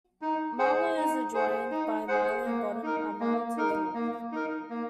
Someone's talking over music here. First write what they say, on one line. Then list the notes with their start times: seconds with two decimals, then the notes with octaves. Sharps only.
Marlow is adjoined by Marlow Bottom, a mile to the north.
0.22 D#4
0.58 G#4 C5 F#5
0.96 D#4
1.34 G#4 C5 F#5
1.71 D#4
2.08 G#4 C5 F#5
2.45 A#3
2.83 D#4 A#4
3.20 A#3
3.57 D#4 A#4
3.94 A#3
4.32 D#4 A#4
4.70 A#3